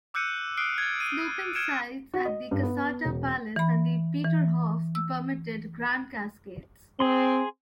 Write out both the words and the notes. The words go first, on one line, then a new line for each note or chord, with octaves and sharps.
Sloping sites at Caserta Palace and Peterhof permitted grand cascades.
D6 E6 F#6 G6 C#7 D#7
D#6 F6 F#6 C7 D7
G#6 A6
G#6 D#7
F6 G#6 C#7 D7 E7
F#4
D#5
G2
B3
E1
E3 B5
E3
E6
C4 G#4 C6